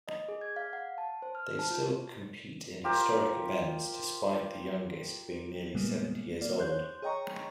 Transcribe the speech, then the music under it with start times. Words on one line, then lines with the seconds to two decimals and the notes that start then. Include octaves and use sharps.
They still compete in historic events despite the youngest being nearly seventy years old.
0.08 D#5
0.28 G#4
0.41 G#6
0.56 F5
0.73 F#5
0.98 A5
1.22 C5
1.35 F6
1.59 A5
1.71 F4
2.84 F4 G4 A#4 C5
5.75 A#2 C#3 G3 G#3 A#3 B3
6.41 A#3 F4 D5
6.57 C5 C#5 C6 F#6 G6
7.02 G#4 C#5 D#5 G5 A#5 C#6